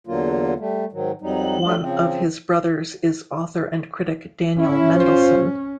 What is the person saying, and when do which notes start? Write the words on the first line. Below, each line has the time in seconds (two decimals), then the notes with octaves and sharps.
One of his brothers is author and critic Daniel Mendelsohn.
0.07 E2 D3 F#3 A#3 F4
0.59 G3 A3
0.92 G#2 D#3 F#3
1.22 F2 F#3 G3 D#4
1.64 F#3 G3 A3 D4 F4 F#4
1.81 C#3 F3 C4
4.59 C#4 E4
4.94 F4 C5